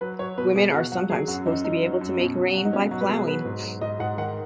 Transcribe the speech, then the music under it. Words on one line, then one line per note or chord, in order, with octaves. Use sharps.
Women are sometimes supposed to be able to make rain by ploughing.
F#3 B4
F#3 C#5
B2 B4
B2 G#4
B2 F#4
F#3 F#4
F#3 G#4
F#2 F#4
F#2 D#4
F#2 D#4
F#3
F#2
B2
F#3
F#3 F#4
D#4
B2 C#4
F#3 F#4
B4
B2 G#4
F#3 B4
G#2
F#3
G#2 D#5
G#2 F#5
D#3 F#5